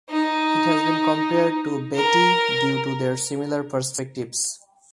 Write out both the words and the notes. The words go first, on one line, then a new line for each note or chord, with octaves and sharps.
It has been compared to "Betty" due to their similar perspectives.
D#4
A#4